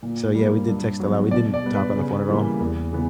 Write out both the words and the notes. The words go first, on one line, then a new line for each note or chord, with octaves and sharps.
So yeah, we did text a lot, we didn't talk on the phone at all.
A#2
G3 A#3
G2
F#3 B3
B2 D5
D5
G3 B3
B4
C#3
E3 G3 A#3
E2
C#3 E3 B3